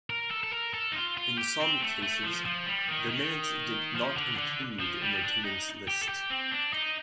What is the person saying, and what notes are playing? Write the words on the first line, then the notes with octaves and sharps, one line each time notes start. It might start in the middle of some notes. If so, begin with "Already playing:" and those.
In some cases the minutes did not include an attendance list.
A#4
A4
A4
A#4
A4
D#4
F4
F4
G4
C4
A3
A3
F3
F3
G3
D#3
D#3
F3
D3
D3
F3
G3
D4
D#4
G4
A4
G4
C4
D4
D#4